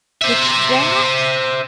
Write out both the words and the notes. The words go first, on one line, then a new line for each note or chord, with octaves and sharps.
which that
C5 E5